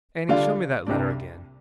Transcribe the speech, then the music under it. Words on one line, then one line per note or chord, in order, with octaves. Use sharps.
Annie, show me that letter again.'
D3 G3 D4 F4
C2 C3 G3 D4